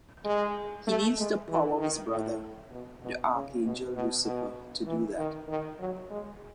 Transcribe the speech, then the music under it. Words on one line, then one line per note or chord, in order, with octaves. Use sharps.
He needs the power of his brother, the Archangel Lucifer to do that.
G#3
A3
G#3
E3
D#3
A2
B2
B2
C#3
B2
B2
B2
E3
D#3
D#3
F#3
G#3